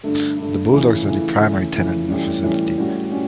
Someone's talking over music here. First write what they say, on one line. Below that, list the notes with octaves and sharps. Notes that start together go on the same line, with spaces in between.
The Bulldogs are the primary tenant in the facility.
G2 D3 A3
G2 D3 A3
C#3 E3 A3
C#3 E3 A3
C#3 E3 A3
C#3 E3 A3
A2 E3 G3 C#4
A2 E3 G3 C#4
A2 G3 C#4 F#4
G3 C#4 F#4